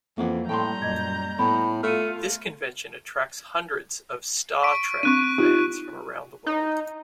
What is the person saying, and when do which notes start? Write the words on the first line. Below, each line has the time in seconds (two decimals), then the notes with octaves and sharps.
This convention attracts hundreds of "Star Trek" fans from around the world.
0.18 F2 E3 A#3 F5 F#5
0.49 A2 G3 G5 A#5 C6 G6
0.82 F#2 A#2 D#5 G#6
1.39 A2 B3 B5
1.83 A3 F4 F6 C#7 D#7
4.63 C#6 B6 D7
5.03 C4 D4 C#6 F#6 D#7
5.38 D#4 F4 G4
6.46 D#4